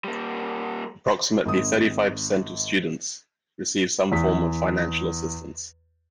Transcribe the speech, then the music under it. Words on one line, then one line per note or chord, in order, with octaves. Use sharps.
Approximately thirty-five percent of students receive some form of financial assistance.
G3 A#3
G#1 D#6
E2 B6